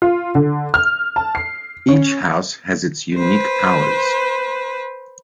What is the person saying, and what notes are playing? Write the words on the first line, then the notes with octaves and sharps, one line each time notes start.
Each house has its unique powers.
F4
D3
F6
A5
C7
C#4
B4 C5